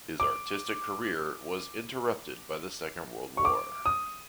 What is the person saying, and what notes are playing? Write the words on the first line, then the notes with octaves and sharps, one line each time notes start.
His artistic career was interrupted by the Second World War.
D6
C#6
D6
D#6